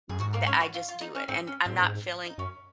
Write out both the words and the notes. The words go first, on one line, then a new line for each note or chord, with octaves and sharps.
th the I just do it and I'm not feeling
F#2 G#4
G#2 F#4
A#3 A#4
C#4 C#5
F#4
F4
F4
D#4
C#4
G#2 C4
C#4
G#2 C4
A#2
G#2
D#4
F#2 C#4